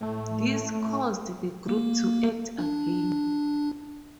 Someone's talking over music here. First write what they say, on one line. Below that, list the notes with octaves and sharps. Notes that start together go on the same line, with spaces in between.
This caused the group to act again.
A2 A3
A#3
D4